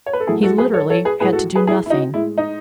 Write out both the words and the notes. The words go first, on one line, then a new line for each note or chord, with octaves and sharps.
He literally had to do nothing.
C#5
B4
A4
A2 F#3 A3 E4 G#4
F#4 A4
G#4 B4
A4 C#5
A4 C#5
G#4 B4
A2 G#3 G#4 B4
F#4 A4
G#4 B4
E4 G#4
E4
D#4 F#4
A2 G#3 E4
D#4